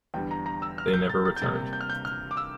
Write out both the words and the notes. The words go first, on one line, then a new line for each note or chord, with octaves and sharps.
They never returned.
E2 D3 G3 G5
A#5
A#5
E6
F6
G6
A6
A6
G6
C3 G3 A#3 A6
G6
F6
G6
F6
D6
E6